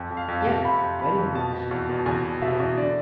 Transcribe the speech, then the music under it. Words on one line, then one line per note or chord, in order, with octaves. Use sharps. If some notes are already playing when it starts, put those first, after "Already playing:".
"Yes, very much," replied Pierre.
Already playing: F2
F2
F5
F2
A5
C3
F2 B5
F2
F2 B5
F2
B2 A5
B2
E2
B2
E2 G#5
B2
B2 E5
E2
D3 D5